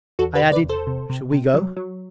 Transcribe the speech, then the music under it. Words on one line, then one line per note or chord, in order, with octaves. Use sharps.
I added, "Shall we go?"
E2 F#4 A4
G4 B4
C3
B4 D5
E2
A4 C5
C3
C3
C3
F#3
F#3